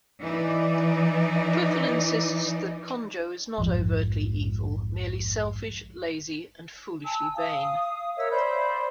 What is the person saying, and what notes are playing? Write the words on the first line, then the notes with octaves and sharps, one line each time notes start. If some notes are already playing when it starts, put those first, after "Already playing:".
Twiffle insists that Conjo is not overtly evil, merely selfish, lazy, and foolishly vain.
E3 D#4 D5
A#1 F2 G#2 F3
G#5 A5 E6
F5 D#6
A#4 C#5 E5 E6
C5 D5 B5 G6